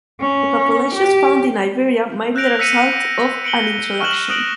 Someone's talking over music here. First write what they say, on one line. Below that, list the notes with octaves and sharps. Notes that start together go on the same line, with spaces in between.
The populations found in Iberia might be the result of an introduction.
C#4
G4
E6 F#6 G6 A#6 D7 F7
E6 A#6 B6 C#7 D#7
C#7 D7 F#7 G7
C#6 F6 F#6 D#7 E7 F#7
D#6 F#6 A#6 D7 F#7